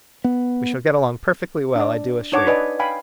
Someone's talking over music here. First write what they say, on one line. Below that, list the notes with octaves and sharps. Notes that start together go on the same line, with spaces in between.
We shall get along perfectly well, I do assure you.
B3
D4 D5
D4 D#4 C#5 F#5 A5 D6
B4 D5 D#5 G#5
F5 G5 G#5 B5